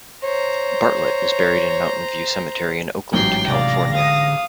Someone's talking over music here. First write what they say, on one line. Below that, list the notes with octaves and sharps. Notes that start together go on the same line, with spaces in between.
Bartlett is buried in Mountain View Cemetery in Oakland, California.
C5 C#5 A#5
A1 G#2 F#3 G5 C7
C3 D5 F5 A#6
D3 F5 D#6